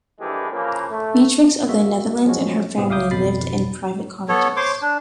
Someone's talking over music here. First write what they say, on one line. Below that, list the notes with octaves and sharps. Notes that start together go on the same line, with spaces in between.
Beatrix of the Netherlands and her family lived in private cottages.
A#1 G2 E3 G#3 G4 A4
C#3 E3 F3 A#3
A3
G#3 A#3 F#4 E5
F3 F#3 G#3 C#4 F#4
A2 C3 B3 C4 G4 G#4
C#2 E5 F5 D6 D#6 G6
G#1 F2 B2 B5 A6 C7
B3 A4 C#5
C5 C#5 C6 D6
D4